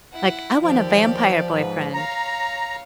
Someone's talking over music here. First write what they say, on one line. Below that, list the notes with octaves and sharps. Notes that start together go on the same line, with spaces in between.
like, "I want a vampire boyfriend."
E4 F#5
D#2 F3 G4 D5
G#2 B4
C#5 F5 A#5